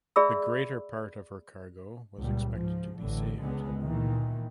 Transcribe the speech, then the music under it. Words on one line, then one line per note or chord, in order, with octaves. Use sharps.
The greater part of her cargo was expected to be saved.
G#4 D5 E5 B5 E6
C#2 A#2 G3
G#2 F3
A1 A2 D3
C#2 D3 G#3 B3
A#2 D#3 E3